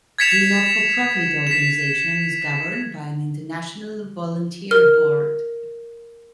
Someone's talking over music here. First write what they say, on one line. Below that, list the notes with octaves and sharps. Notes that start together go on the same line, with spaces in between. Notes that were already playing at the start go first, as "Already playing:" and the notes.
The not-for-profit organization is governed by an international volunteer board.
G#6 A6 B6 C#7 E7 F7
B6 E7
A#4 F6